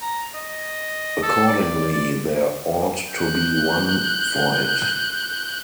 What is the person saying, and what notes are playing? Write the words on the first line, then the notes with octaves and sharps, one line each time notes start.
Accordingly there ought to be one for it.
A#5
D#5
A4
D5
D5
F#6 G6